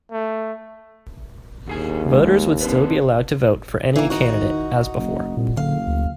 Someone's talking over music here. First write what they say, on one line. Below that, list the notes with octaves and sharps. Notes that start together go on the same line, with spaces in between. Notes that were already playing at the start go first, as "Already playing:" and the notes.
Voters would still be allowed to vote for any candidate as before.
A3
D#2 B2 G#4 G#5
G#3
C4 D4 B4
D#3 E3 A#3
D#4 F#4
F#1
C2 A#2
F#1 D3 F5
D2